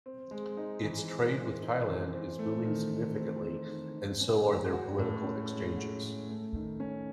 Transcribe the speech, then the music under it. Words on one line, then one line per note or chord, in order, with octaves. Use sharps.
Its trade with Thailand is booming significantly and so are their political exchanges.
C4
G#3
D#4
E3
C4
G#3
D#4
E3
C4
A3
D#3
D#3
C4
A3
D#3
D#3
C#4
G#3
F#4
A2
C#4
G#3
F#4
A2
A3
D#3
C#4